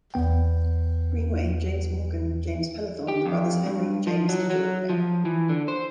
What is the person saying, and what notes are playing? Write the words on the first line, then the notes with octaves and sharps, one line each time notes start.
Greenway, James Morgan, James Pennethorne, the brothers Henry, James and George Pain.
E2 B3 G5
G4
F2
G2
F3
F#3
F#3
F3
E3
D3
C5